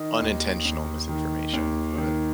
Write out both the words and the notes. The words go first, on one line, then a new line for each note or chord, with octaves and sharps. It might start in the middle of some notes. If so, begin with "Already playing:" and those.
unintentional misinformation, but
Already playing: D#3 D#4
D#2
D#2
D#3
D#2
D#3